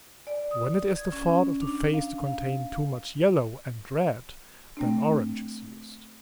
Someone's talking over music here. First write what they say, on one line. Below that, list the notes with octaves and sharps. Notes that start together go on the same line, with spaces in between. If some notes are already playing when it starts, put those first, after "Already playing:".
When it is the fault of a face to contain too much yellow and red, then orange is used.
D5
D#6
G#6
C#4
D4
F5
F5
A3 C4 D4